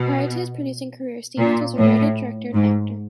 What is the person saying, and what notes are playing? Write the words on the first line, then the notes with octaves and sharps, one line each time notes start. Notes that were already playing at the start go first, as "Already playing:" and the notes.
Prior to his producing career, Stevens was a writer, director, and actor.
Already playing: B2
A#2
A2
G#2